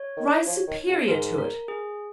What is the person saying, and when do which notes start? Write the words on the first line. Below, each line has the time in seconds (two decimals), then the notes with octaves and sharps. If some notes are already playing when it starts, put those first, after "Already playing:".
Rise superior to it.
Already playing: C#5
0.17 D#3
0.47 F3
0.67 D#3
0.88 C#3
1.07 G#2 A#4
1.38 A#4
1.68 G#4